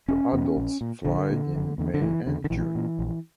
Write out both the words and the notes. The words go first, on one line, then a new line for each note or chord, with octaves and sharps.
The adults fly in May and June.
E1 C#4
E2 B2
A#1
A#2
A#1 D3
A#2
F#1
E2 D3
D3
F#1 E3
E2 D3
D3
A#1 E3
A#2
A#1